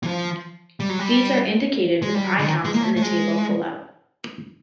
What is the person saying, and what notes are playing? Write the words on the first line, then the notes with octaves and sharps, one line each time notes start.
These are indicated with icons in the table below.
E3
F3
G3
F#3
G3
G#3
G3
F#3
D3
D#3
G#3
A#3
A3
A3
G#3